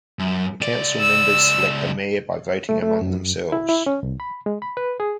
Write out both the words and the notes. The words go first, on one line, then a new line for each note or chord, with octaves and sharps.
The council members select a mayor by voting among themselves.
F#2
C#2 D5
E6
A3
A3
F#2
E4
E4
C#4
C2
B5
G#3
B5
B4
G#4